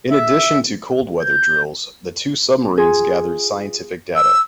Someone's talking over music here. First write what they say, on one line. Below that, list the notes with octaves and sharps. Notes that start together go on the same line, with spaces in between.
In addition to cold-weather drills, the two submarines gathered scientific data.
E5
G6
F4 G#4
E6